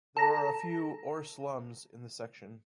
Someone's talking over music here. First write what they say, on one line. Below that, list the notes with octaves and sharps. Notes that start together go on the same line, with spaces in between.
There are a few ', or slums, in the section.
A4 A#5